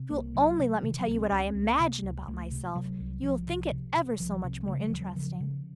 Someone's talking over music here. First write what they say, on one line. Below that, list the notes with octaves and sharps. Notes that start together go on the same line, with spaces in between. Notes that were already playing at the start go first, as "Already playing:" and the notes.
"If you'll only let me tell you what I IMAGINE about myself you'll think it ever so much more interesting."
Already playing: C3
C2 A#3
C3 F#3
C3
C3 D#3
F#3
C#2
C4
C#2 C#4
C4
C#2
A#3
C3
C#2
C#2 A3
C3
C3 F#3
C2
C2 F3
C3
C3
C3
C2 F3
C3
C#3 A3
F#3
D#2 F3
F#3
C#3 F3
C#3